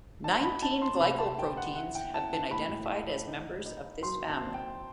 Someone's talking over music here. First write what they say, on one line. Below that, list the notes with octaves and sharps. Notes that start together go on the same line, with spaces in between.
Nineteen glycoproteins have been identified as members of this family.
D#4 A5
B5
D#4 A5
C6
C3 B5
A5
D#4 G5
F#5
E4 F#5
G5
E4 A5
A5
A2 B5
A2
D#4
D#4
F#3 C6
A5
C4
G5